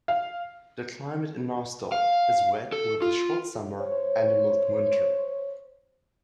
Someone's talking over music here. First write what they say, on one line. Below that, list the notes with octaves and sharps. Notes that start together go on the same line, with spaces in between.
The climate in Naustdal is wet with a short summer and a mild winter.
F5
F5
A4
F4
C5 C#5